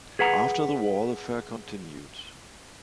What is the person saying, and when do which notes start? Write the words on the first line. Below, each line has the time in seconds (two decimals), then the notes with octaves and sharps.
After the war, the fair continued.
0.19 G#4 B4 F#5 A#5